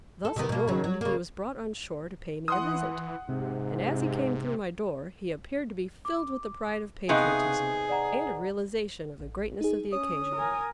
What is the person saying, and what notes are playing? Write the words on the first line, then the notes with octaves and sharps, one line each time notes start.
Thus adorned he was brought on shore to pay me a visit, and as he came through my door he appeared to be filled with the pride of patriotism and a realization of the greatness of the occasion.
A4
C3 D#3 B3
B2 A#3
C#3 F#3
F#3
C#3 A#3
E3 F#5 C6 D#6
G#2 C3
D6
C3 B3 D#4 G#4 F5 C#6 F#6
D5 F#5 A#5
A1
D#4 G#4
C#4 C#5 D#6
A#4 G#5